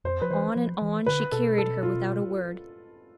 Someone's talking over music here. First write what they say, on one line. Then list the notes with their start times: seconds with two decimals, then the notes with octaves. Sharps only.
On and on she carried her without a word.
0.04 F2 C5
0.22 F3 B4
0.30 E3 C5
0.56 F3
0.82 E3
1.06 D3 B4
1.32 B2 A4
1.58 A4
1.83 F4